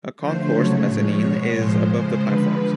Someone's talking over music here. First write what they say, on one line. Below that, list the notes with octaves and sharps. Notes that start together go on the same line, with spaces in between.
A concourse mezzanine is above the platforms.
D3 F3 A3 C5
C#3 F#3 A3 C#5
A2 F3 G#3
B2 G#3 C#5
A2 F3 G#3 C5
C#3 F3 G#3 C5
D3 F3 G#3 B4